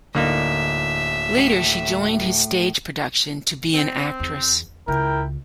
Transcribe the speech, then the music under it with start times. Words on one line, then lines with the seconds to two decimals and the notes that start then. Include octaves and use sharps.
Later she joined his stage production to be an actress.
0.15 D1 D3 A#3 D#4 E5
1.38 A2
3.74 C4
4.20 E2
4.88 C#2 E4 A#4 G5